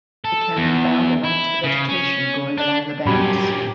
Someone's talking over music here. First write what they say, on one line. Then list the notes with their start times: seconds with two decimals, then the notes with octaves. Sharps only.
It can be found amongst the vegetation growing along the banks.
0.25 A4
0.57 E2
1.24 E4
1.63 C#3
1.89 C#4
2.58 D4
3.07 G2 A#2 F#3 C#4 G4 B5